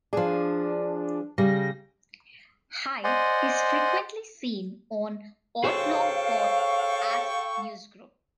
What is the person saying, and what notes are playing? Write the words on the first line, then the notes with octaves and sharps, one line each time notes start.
Hyde is frequently seen on the alt.lang dot asm newsgroup.
F3 D4 G#4
C#3 G3 A#6
C5 D5 D#5 F#5 G#5 C6
G#4 A4 C5 C#5 F5 G5 C#6